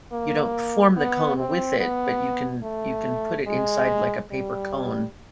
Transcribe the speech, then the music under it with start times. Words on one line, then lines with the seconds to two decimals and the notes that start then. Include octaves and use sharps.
You don't form the cone with it, but you can you can put it inside like a paper cone
0.13 A#3
0.96 B3
1.38 C4
1.80 B3
2.63 A3
3.47 G#3
4.31 G3